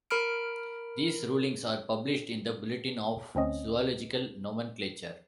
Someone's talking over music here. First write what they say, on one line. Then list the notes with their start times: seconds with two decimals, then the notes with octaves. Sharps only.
These rulings are published in the Bulletin of Zoological Nomenclature.
0.11 A#4 B5 F6 D7
3.35 D2 C4 C#4 D#5